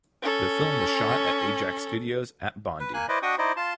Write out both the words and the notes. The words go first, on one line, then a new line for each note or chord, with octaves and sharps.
The film was shot at Ajax Studios at Bondi.
C#4 A4
B4
A#3 G#5 F#6
E4 B4 C5 D5 D#5
D4 F#4 D#5 G5 C#6 D#6
D#4 E4 C5 D5 D#5
F4 A5 C6